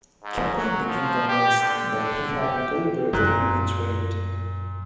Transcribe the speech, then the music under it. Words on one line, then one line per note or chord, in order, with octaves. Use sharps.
Keppel became convinced that he had been deliberately betrayed.
G#2
F#3
F3
G4
D3
D3
G4
F#2 A#2 F#6